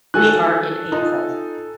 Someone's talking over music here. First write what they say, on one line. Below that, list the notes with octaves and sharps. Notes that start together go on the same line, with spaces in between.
We are in April.
D#3 F#4 A4 G#5 F#6
D#4 F4